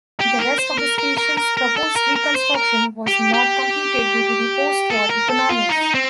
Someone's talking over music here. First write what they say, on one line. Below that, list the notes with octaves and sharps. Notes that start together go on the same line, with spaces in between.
The rest of the station's proposed reconstruction was not completed due to post-war economies.
G4
A#4
C5
A#4
A#4
A#4
A#4
A#4
A4
A#4
A#4
C5
A#4
G4
G4
A4
A#4
A4
F4
D#4
C4